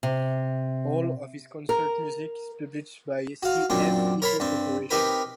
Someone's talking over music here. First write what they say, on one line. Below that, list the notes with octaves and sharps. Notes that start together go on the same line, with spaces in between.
All of his concert music is published by C. F. Peters Corporation.
C3
A#4
F#4 F5
F#2 A#2 C4 D4
A#4 C#5 A5 B5 C6
G2 C4
C4 D#4 G4 A#4 B4